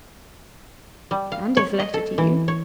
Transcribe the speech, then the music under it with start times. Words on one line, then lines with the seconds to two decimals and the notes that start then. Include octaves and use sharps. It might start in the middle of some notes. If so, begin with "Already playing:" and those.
"And his letter to you."
1.11 G3
1.32 F5
1.57 C#5
1.80 D#5
1.94 A4
2.18 E3
2.48 C#5